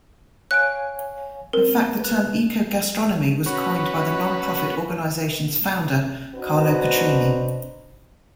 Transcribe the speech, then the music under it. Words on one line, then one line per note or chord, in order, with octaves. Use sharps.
In fact, the term eco-gastronomy was coined by the non-profit organization's founder, Carlo Petrini.
C#5 F5 G#5 F#6 D7
C4 A#4
B4 F#6
C#4 F#4 B4
C4 D4 D#4 F#4 B4